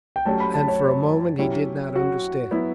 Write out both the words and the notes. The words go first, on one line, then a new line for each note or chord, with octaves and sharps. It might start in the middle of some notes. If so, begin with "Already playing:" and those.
And for a moment he did not understand.
G5
F#3 A3 C#4 G4 A5
B5
A5
C#5
F#3 C#4 E4 G4
F#4
F#3 B3 E4